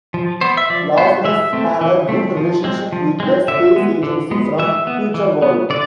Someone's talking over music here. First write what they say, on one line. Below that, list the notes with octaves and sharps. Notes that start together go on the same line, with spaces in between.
Lazarus had a good relationship with the space agency from "Futureworld".
F3
B3 C5
E5
F3 D5
B3 C5
E3 E5
A3 C4
E3
A3 C4
F3
G#3 C4
F3
G#3 C4
D3 E5
G#3 B3
D3
G#3 B3
E3 E5
B3
E3
B3
D3 D5